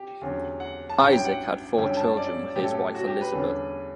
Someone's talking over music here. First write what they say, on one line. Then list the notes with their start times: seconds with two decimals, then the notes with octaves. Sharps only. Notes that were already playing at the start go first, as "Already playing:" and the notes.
Isaac had four children with his wife Elizabeth.
Already playing: G4
0.21 E2 D3 F#3 C#4
0.60 F#5
0.89 A5
0.99 A1 G2 F#3 G5
1.12 G5
1.25 F#5
1.77 G1 F#2 D3 G3 C#4 G5
1.97 A5
2.17 D5
2.56 A2 F#3 C#4 G4
2.64 A4
2.75 G4
2.95 F#4
3.07 G4
3.21 B4
3.33 E2 D3 G3 C#4